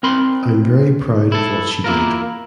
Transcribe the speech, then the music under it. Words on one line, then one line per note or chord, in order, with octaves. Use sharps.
I’m very proud of what she did.
C4 A#4 B5 C6
E4 A4
A#3 E4 F4 A#4